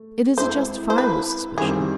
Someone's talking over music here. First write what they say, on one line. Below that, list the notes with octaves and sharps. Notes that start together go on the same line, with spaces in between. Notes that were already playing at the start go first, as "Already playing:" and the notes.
It is a justifiable suspicion.
Already playing: A3
G#3 C4 E4 C5
C5
B4
D#3 G3 C4 G#4